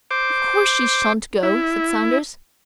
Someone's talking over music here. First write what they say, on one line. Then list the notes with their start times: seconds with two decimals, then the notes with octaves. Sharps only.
"Of course she shan't go," said Saunders.
0.11 C5 D6
1.43 E4